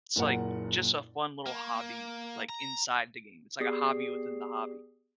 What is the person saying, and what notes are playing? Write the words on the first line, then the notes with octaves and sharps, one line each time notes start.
it's like just a fun little hobby, like, inside the game, it's like a hobby within the hobby,
F#1 A#2 A#4 F#5
A#3
A#5
B3 G4 G#4 D5 D#6 C7